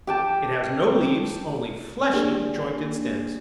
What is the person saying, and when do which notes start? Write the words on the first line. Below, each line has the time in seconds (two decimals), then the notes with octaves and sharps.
It has no leaves, only fleshy, jointed stems.
0.07 G4 G5 A5
2.13 A#3 D4 G4 G#4